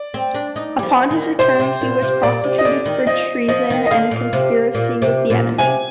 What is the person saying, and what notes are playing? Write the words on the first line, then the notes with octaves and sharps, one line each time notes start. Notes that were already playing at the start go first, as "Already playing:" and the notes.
Upon his return, he was prosecuted for treason and conspiracy with the enemy.
Already playing: D5
C4
D4
D#4
G3
F3
D#3
C3 C5
C3
A#2
C3
A#2 D5
C3
D#5
D3 D5
D#3
F3 D#5
F3 D#5
D#3
D#5
D3 F5
A#2
C3
A#2
C3
A#2
C3 G#5